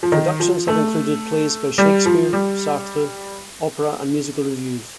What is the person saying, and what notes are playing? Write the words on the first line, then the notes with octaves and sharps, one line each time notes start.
Productions have included plays by Shakespeare, Sartre, opera and musical reviews.
F3
D#3
F3
A3
G3
F3
G3